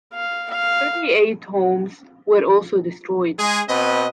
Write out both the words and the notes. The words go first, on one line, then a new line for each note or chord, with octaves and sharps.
Thirty-eight homes were also destroyed.
F5
F5
G#3 G#4
B2 C4 B4 D#5